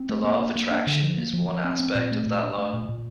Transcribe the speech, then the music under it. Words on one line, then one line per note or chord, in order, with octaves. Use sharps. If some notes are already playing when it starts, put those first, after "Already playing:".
The Law of Attraction is one aspect of that Law.
Already playing: C4
A3
A#3
D4
A#3
D4
D3
F3
A#3
F3
F3
C4
C4
A#2
A3
A#2
D4
A3
A#2
A#2